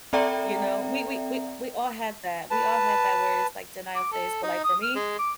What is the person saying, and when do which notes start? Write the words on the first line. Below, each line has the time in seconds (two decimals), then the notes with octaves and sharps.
You know? We we we we all have that. We all have that, where it's, like, denial phase. But, like, for me,
0.13 C4 A4 D5 E5 G5 A#5
2.51 B4 A5
3.96 D6
4.12 A4
4.43 D#4
4.64 D#6
4.83 F6
4.95 G#3
5.19 D6